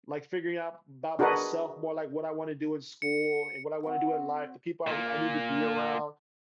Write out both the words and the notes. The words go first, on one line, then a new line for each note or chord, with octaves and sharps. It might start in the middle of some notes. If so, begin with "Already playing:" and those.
like, figuring out 'bout myself more, like, what I want to do in school, and what I want to do in life, the people I w I need to be around,
D4 F#4 G#4 A#4 B4 D#5
C#7
C4 F#4 E5 F#5
A#2 A#3